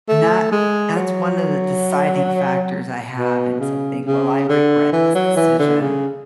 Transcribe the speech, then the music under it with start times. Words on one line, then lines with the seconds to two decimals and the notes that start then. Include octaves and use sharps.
And that that's one of the deciding factors I have in something, "Will I regret this decision,"
0.08 A3
0.52 G#3
0.96 F#3
3.17 B2
3.60 C#3
4.05 C#3
4.49 D3
4.92 E3
5.15 F#3
5.36 E3
5.59 D3
5.81 C#3